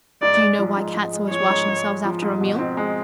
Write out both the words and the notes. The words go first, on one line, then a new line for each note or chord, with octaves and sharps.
Do you know why Cats always wash themselves after a meal?
G#2 D5
G#3
F3
G#2
G#2
G#3
F3 C#5
G#2
G#2
G#3
F3
G#2
B2
C4
G#3